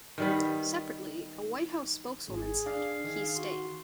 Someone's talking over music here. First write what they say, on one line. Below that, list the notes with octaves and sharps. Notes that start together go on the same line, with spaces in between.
Separately, a White House spokeswoman said, "He's staying".
D#3 G3 B3
G#1 G#4
D4 F5
D#3 G#4
F#4 C6